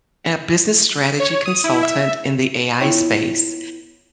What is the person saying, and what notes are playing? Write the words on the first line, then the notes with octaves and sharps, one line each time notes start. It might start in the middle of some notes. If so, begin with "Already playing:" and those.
a business strategy consultant in the AI space,
C#5
D#6
E4
E5
B3 E4 F4 C#5 G5